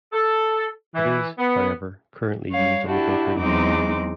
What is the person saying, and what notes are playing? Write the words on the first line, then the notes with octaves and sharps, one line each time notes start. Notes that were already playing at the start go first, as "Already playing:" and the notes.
It is, however, currently used on the Bakerloo line.
A4
E3
B3
G3 C#5 F5
D4 E4 F#4 G4 A5
E2 F#3 G#3 C4 D#4 D6